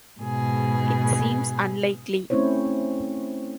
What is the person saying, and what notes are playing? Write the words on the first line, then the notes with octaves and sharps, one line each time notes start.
It seems unlikely.
G#2 B2 G#4
A3 C4 C#4 E4 C5 C#5